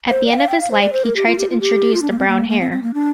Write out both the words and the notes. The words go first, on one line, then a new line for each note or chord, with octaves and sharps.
At the end of his life he tried to introduce the brown hare.
C5
D5
G5
F5
G5
F5
C5
D5
C5
A#4
G4
F4
G4
F4
G4
F4
D4
A#3
C4
A#3
A#3
C4
C4
A#3
D4